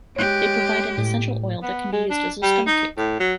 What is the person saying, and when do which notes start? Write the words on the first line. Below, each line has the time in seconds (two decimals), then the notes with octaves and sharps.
They provide an essential oil that can be used as a stomachic.
0.16 G#3 G4 C#5 F#6 G6
0.97 A2
1.63 B3
1.93 G#3
2.10 D4
2.43 G3
2.67 D#4
2.97 A2
3.20 F#3